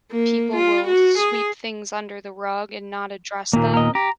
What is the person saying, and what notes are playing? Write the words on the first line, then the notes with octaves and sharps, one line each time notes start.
people will sweep things under the rug and not address them,
A#3
F4
F#4
G#4
D#2 A#2 A#3
A#4 D#5
G4 A#5